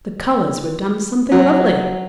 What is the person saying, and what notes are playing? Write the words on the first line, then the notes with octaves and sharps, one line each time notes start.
The colours were done something lovely.
F#3